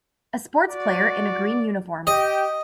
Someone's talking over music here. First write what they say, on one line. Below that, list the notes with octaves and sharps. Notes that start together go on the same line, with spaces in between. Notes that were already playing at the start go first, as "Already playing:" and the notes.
A sports player in a green uniform.
F#4 D5
G4 D#5 G5